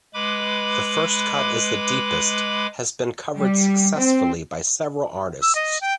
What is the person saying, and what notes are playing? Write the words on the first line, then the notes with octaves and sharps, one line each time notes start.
"The First Cut Is the Deepest" has been covered successfully by several artists.
G#3 B4 B5 D6
G3
C4
E6
D#5
G5